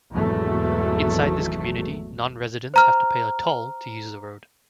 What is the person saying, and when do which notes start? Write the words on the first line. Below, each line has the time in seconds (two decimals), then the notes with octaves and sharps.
Inside this community, nonresidents have to pay a toll to use the road.
0.13 G#1 E2 B2 F#3 A3
2.74 C5 A#5 F6